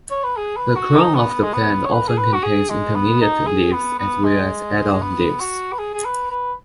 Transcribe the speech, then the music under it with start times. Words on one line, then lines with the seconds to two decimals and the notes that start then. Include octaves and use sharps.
The crown of the plant often contains intermediate leaves as well as adult leaves.
0.11 C#5
0.24 B4
0.37 G#4
0.57 B4
0.76 F#4
0.95 D#4
1.15 B3
1.43 G#3
1.53 B3
1.86 C#5
1.92 B4
2.08 G#4
2.18 B4
2.34 F#4
2.44 G#4
2.70 G#3
2.95 B3
3.21 D#4
3.47 G#4
3.73 B3
3.98 B3
4.24 G#3
4.92 G#3
5.02 B3
5.40 F#4
5.72 B4
5.79 G#4
5.94 G#4
6.05 B4
6.31 B4